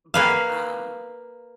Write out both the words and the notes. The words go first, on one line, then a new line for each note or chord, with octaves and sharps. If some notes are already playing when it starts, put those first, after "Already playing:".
But, um,
A#3 B4 F5